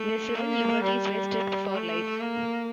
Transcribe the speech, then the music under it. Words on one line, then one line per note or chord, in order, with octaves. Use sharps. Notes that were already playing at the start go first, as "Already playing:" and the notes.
Their civil liberties were stripped for life.
Already playing: A3
A#3
G3
A3
A#3